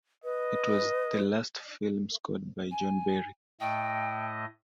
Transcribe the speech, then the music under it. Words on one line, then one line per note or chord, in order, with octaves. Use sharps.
It was the last film scored by John Barry.
B4 D#5
G#5
A2 A3 D#5 G5